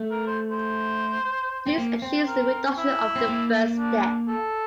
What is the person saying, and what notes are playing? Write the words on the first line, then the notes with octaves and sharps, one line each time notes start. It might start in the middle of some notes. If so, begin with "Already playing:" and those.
This achieves the reduction of the first step.
Already playing: A3
A#4
C5
C5
C4
A#3
C4
A#4
E4
C4
A#3
D4
A4